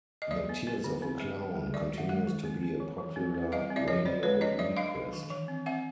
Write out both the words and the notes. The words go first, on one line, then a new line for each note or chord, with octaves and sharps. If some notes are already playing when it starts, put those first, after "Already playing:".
"The Tears of a Clown" continues to be a popular radio request.
D#5
F#3 D5 E5
B3
B3
D3
C4
G3
G3
G3
D#3 D5 E5
D#3
E5 F#5
G#3 E5 F#5
D#3
C4
C4
E3
E3
C4
C4
G3 D#5 F5
C4
D5 E5
F3 C#5 D#5
D3 C5 D5
G#3 B4 C#5
C#4 C#5 D#5
F#3 D5 E5
D4 D#5 F5
D4
D#3
E3
C4
C4 E5 F#5